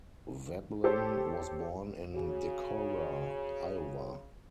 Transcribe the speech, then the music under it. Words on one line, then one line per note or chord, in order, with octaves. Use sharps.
Veblen was born in Decorah, Iowa.
G4 A4 C5 C#5
C#3 F#4 G#4 C#5